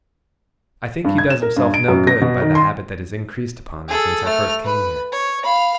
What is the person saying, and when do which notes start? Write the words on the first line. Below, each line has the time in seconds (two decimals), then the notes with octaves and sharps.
'I think he does himself no good by the habit that has increased upon him since I first came here.
1.05 G2
1.18 G#6
1.30 E7
1.42 A#4
1.56 G2
1.74 D7
1.88 F#2
2.07 A#6
2.21 B2
2.41 D#3
2.55 C6
3.88 G#4 A4
4.25 A3 F6
4.64 B4 B5
5.12 C#5
5.43 F5 B5